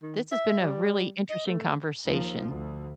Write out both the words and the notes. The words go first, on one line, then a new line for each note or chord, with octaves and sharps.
This has been a really interesting conversation.
D#3
E5
G3
D#5
A3
D#2 F3
D2